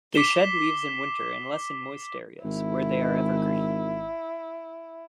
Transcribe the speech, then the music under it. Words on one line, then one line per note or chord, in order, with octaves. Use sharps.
They shed leaves in winter unless in moist areas, where they are evergreen.
D6 B6 C7 E7 G7
G#1 E4